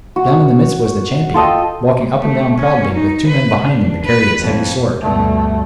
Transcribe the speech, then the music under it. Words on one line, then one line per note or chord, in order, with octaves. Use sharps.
Down in the midst was the champion, walking up and down proudly, with two men behind him to carry his heavy sword.
F#4
F4 A4 D#5 G5
A3
C#4
D#4
B4
D4
B4
F2
D2 G2 B2 A3